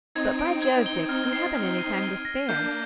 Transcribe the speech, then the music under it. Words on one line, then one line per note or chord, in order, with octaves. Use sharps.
But, by Jove, Dick, we hadn't any time to spare.
C4 D#4 G#6
D7
C4 D#4 G#6
G7
C4 D#4 F6
C7
F6
D#7
G7
A#6
A#3 D4 G6